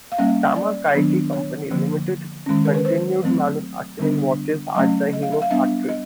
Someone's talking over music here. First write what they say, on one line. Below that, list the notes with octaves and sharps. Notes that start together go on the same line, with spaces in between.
Tama Keiki Company, Limited continued manufacturing watches at the Hino Factory.
F5
G3 A#3 C#4 E5
D5
D#3 F#3 B3 D4
C#5
D3 F3 A#3
D#3 G#3 C#4
A#4
B4
C5
F#3 A3 C4
D3 G3 B3 D4
F#3 A3 C#4 D#5
D#5
F5
E5
F5
G3 B3 D4 E5
D#5